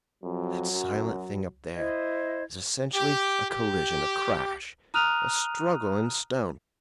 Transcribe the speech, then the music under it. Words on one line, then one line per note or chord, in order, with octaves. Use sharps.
That silent thing up there is essentially a collision, a crash, a struggle in stone.
F2 F#3
F#2
E4 C5 D#5 G#6
G4
G4
A#5 D#6 F6 F#6 D#7 F7